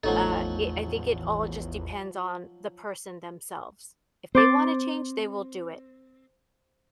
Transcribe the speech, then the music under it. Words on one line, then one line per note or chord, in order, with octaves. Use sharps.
uh, it I think it all just depends on the person, themselves. If they wanna change, they will do it.
A1 E2 F3 F#3 A3 D#4 A4
C4 C5 D6 A6